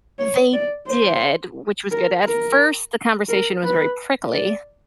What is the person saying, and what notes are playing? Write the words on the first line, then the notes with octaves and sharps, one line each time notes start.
They did, which was good. At first, the conversation was very prickly,
C#5
D5
C5
A#4
A#4
A#4
B4
D5